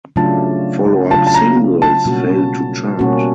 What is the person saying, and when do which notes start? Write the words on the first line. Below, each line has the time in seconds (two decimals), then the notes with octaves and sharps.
Follow-up singles failed to chart.
0.16 C#3 F#3 A3 D4 F4 A5
1.11 C#3 F#3 A3 D4 F4 A5
1.27 A5
1.34 A#5
1.82 A5
2.05 B2 G3 A#3 C#4 F#4
2.99 B2 G3 A#3 C#4 F#4